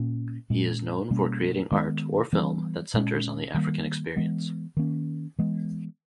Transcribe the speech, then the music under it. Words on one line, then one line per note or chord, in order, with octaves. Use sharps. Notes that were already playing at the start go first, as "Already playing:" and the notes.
He is known for creating art or film that centers on the African experience.
Already playing: A#2 A#3 C#4
A#2 G#3 C#4
B2 G3 A#3 C#4
D#3 G#3 B3
E3 G3 B3
A#2 G#3 C#4
D#3 G3 A#3
E3 G#3 B3
D#3 A#3 C#4
E3 G#3 B3